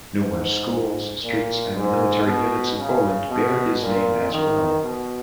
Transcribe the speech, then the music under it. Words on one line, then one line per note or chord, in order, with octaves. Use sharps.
Numerous schools, streets and military units in Poland bear his name as well.
G#2
A#2
G#2
B2
C#3
B2
A#2
D#3
B2